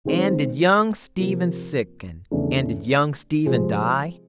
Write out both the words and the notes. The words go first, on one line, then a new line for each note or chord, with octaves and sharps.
And did young Stephen sicken, And did young Stephen die?
D#3 G#3 C4
C3 F3 A#3
E2 C#3 E3 A3 D4
C3 F3 G#3 C4 F4